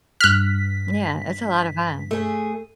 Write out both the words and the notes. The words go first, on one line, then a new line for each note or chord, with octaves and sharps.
Yeah, it's a lot of fun.
G2 F6 F#6 B6
A3 G#4